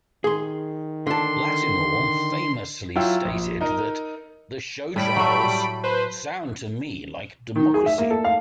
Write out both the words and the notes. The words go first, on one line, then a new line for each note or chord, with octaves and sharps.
Lattimore famously stated that the show trials "sound to me like democracy".
D#3 G#4 C6
D3 A5 C6
F#3 E4 F4 G5 E6
A#1
D#4 A#4 D#5
A2 G3 B5 D7
F#3 A3
B4 C5
D#3
G#4
E5
A#3
A4
F5